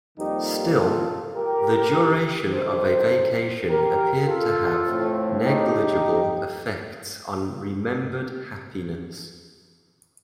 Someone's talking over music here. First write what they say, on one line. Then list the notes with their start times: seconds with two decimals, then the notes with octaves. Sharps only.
Still, the duration of a vacation appeared to have negligible effects on remembered happiness.
0.18 F2 D#3 G3 A#3 D#4 G4
0.77 F4 A4
1.35 G4 A#4
2.52 F2 C3 D#3 A4 C5
3.69 G4 A#4
4.27 F4 A4
4.86 A2 A3 C4
5.44 D#4 G4